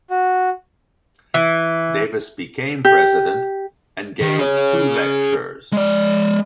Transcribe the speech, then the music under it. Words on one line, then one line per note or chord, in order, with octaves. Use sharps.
Davis became president and gave two lectures.
F#4
E3
G4
D#3
G#4 C#5
G#3 D5